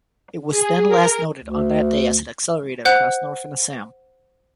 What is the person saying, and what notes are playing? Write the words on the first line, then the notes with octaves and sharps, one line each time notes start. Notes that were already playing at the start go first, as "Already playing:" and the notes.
It was then last noted on that day as it accelerated across northern Assam.
G#4
A#4
D2
C5 F#5 F#6